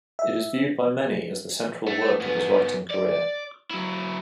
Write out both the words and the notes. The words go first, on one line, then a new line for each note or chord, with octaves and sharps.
It is viewed by many as the central work of his writing career.
E5
A3
G#2 B3
D5
F#3 E4